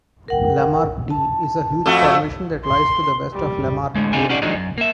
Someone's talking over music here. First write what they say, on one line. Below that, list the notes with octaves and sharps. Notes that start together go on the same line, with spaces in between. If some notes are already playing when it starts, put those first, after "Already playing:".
Lamarck D is a huge formation that lies to the west of Lamarck A.
A#4 F#5 G5
A5
F2 A3 F#4
C6
G3
A2 D3 G#3
C4 D4 D#4 F4 A4 G#5
C#4 D#4 F#4 G#4 D5
D#3 F3 F#3 G#3 D4 D#4
F#2
A#3 E5